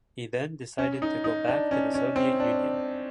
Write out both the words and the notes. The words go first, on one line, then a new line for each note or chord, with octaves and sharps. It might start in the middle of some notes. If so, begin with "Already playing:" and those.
He then decided to go back to the Soviet Union.
C#4
D#4
D#4
D4
C#4
C#4
C4
D4